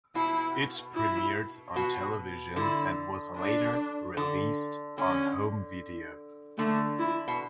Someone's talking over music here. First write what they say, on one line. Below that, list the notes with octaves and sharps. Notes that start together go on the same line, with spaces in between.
It premiered on television and was later released on home video.
B2 E4
E4
B2 F#4
D3 E4
D4
D3
D3 C#4
D3 A3
E4
B2